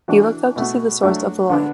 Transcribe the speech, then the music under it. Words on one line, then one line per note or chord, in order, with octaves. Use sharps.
He looked up to see the source of the light.
E3 D4 F#4
B2 A3 F#4
F#3 A3 D4 F#4
D3 B3 D4